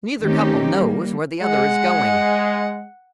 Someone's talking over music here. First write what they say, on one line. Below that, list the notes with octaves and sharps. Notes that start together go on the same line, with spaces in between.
Neither couple knows where the other is going.
D#3 A3 C4 C#4 D#4 G4
G3 A#3
G#3 F#5